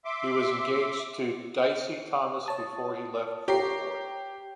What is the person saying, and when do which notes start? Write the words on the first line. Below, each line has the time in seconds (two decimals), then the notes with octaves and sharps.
He was engaged to Dicey Thomas before he left for war.
0.05 E5 C6 D6
2.46 C#5 A5 D#6
3.48 G4 C#5 A#5 C7